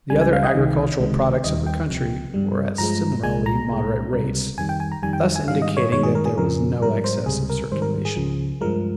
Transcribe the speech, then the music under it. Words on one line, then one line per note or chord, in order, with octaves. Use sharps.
The other agricultural products of the country were at similarly moderate rates, thus indicating that there was no excess of circulation.
C#2 C#3 G3 G#5
G#5
F5
D#5
C2 C3 D#3
C#2 C3 D#3 G#3
D#2 D#3 G3 D#5
G5
C#2 C3 F3
G2 G3
G2 F3 G#3 A#5
C2 A#2 G#3 G#5
A#5
C2 A#2 G#3
C#2 C3 G3
F2 D#3 G3 G#5
G5
G#5
A#5
F2 D#3 G3 G#5
G5
G#5
G#2 D#3 G3 F5
D#5
C#5
G2 D#3 G#3 C#5
G#4
A#4
G#4
F2 C#3 F3 A#4
G#2 G3 A#4
C5
C#2 C3 G3 G#4
A#4
G#2 D#3 G3 C5
A#4
G#4
C#2 C#3 F3
G2 F3 G#3 A#4